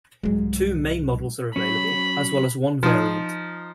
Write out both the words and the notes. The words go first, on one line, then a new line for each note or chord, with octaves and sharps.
Two main models are available as well as one variant.
C2 G#2 F#3 G#3
F#3 C#4 B5
F3 D#4